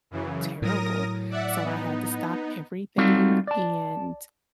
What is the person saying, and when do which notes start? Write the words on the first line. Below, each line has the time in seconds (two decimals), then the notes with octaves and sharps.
terrible, so I had to stop everything and,
0.11 F#2 C#3 E3
0.62 A2 F#3 A#4 D#6 A#6
1.30 D5 E5 F#5
1.63 B3 D#4
2.98 G3 C4 D#4 F4 F#4 A4
3.47 D5 A5